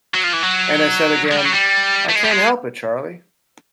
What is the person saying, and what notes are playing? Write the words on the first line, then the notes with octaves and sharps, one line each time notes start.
And I said again, "I can't help it, Charley."
F#3
F3
E3
F#3
G#3
G3
F#3
G3
A3
G#3
G3
G#3